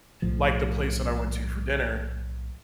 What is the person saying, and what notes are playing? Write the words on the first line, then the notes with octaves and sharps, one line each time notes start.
like the place that I went to for dinner,
B1 A2 F3